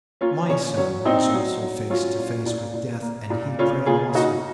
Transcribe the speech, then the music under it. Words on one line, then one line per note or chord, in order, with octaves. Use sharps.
My son was also face to face with death, and he prayed, also.
A#3 C#4 F4
A#2 C#4
F#3 C#4
A#2 C4 D#4
F#3
F#3
F#3 C#4 F4
A#2
A#2
A#2
A#3
A#2
C#3 C#4 F4
A#3 F4 G#4
A#3 D#4 F#4